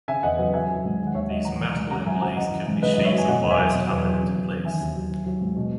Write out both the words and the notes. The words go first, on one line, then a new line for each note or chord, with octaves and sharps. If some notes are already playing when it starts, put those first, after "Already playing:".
These metal inlays could be sheets or wires hammered into place.
C#3 E5 G#5
E2 D#5 F#5
F#3 B4 D#5
F#3 E5 G#5
F#3
G#2
D#3
F#5
D#2 C#5 E5
F#3 D#5 F#5
E3 F#5 A#5
E3
G#2
C#3 F#5 A#5
F#2 E5 G#5
F#3 F#5 A#5
E3 D#5 F#5
E3
G#2
C#3 B4 D#5
F#2 D#5
C#5 E5
F#3
G#5
B2 D#5 F#5
E2
E5 G#5
F#3
B2
E2
F#3
C#3
E2
E3
D#3 E5 G#5
D#2
F#3
F#3
F#3
G#2
B2